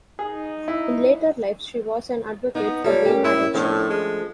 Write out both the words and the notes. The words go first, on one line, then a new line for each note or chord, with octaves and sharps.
In later life, she was an advocate for gay marriage.
D#4 G#4
E4
B3 D#4
G3 A#3 F4 A4 C#5 D5
A#3 C#4 G4
A2 E4
A2 F3 A3 D4
G#3